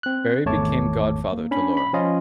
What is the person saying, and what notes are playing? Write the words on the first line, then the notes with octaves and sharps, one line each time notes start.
Barrie became godfather to Laura.
C4 F#6
G#1 E2 A3 C#5 A5 D6
A#3
C#4 D4 B5
B5
F3 C#4 F4 D#5